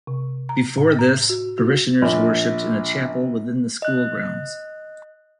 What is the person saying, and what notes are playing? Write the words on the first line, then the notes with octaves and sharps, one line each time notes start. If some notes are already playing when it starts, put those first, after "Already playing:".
Before this, parishioners worshipped in a chapel within the school grounds.
C3
A#5
A2
A#5
F#4
F#4
A#1
D#5 F#6